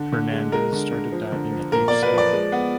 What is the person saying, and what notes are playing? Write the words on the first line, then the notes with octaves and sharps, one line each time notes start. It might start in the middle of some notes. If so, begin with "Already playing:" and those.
Hernandez started diving at age seven.
Already playing: D3
D3
G#3
G#3 A#4
D3
D3
F3
D3
F3
A#2 A#4
A#3 D5
B4
F3
D5
G#3
B3